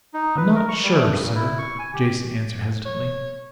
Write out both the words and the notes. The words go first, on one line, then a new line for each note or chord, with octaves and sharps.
"I'm not sure, sir," Jason answered hesitantly.
D#4
B4
A#4
C#6
G3
A3
G2
A#2
E4
C#6
G#5
G4
C#5